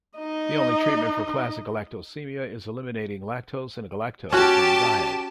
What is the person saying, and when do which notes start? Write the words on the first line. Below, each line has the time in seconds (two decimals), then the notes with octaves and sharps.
The only treatment for classic galactosemia is eliminating lactose and galactose from the diet.
0.19 D#4 D#5
4.32 C#4 F#4 G4 A5